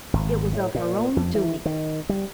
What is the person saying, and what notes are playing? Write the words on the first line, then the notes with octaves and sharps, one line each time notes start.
It was of her own doing.
G#1
A2
A#2
F2
E3
D#3
G3